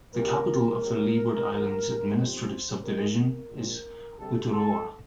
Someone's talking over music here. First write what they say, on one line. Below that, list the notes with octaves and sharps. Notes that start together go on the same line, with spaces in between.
The capital of the Leeward Islands administrative subdivision is Uturoa.
C2 A#2 G3 A#4
A#1 A2 G3
G2 D3 F3
F2 D#3 G3 C5
A1 G2 D#3 A#4
A#4
A#1 A#2 F3
D2 C3 G3 A4
A4